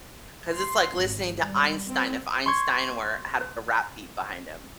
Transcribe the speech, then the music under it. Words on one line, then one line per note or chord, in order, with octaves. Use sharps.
'Cause it's like listening to Einstein, if Einstein were had a rap beat behind him.
C6
G#1
G3
C4
C6 C#6 G#6